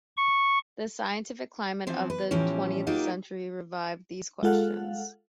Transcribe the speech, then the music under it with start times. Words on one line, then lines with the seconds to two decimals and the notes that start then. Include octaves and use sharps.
The scientific climate of the twentieth century revived these questions.
0.17 C#6
1.87 E3 F3 C4
2.10 B4
2.31 A2 E3 F3 C#4 G4
2.87 F#3 A#3 D#4 F4 G4
4.43 G#3 F4 A4 F5 F#5